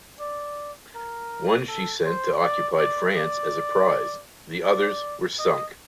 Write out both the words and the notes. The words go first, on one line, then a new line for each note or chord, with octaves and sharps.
One she sent to occupied France as a prize; the others were sunk.
D5
A#4
A4
C5
D5
D5
D5
D5
D#5